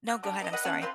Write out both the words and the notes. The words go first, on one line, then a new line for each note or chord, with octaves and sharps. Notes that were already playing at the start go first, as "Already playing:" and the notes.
No, go ahead, I'm sorry.
F#3
D3
E3 D#4 D#5
G#4 B4 D#5 F#5
D3 C#4 F#5
C4 F4 B4 C6